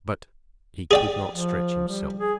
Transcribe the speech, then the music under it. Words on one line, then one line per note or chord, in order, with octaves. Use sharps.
But he could not stretch himself.
G#4 D5 G5
F3
G3
G#4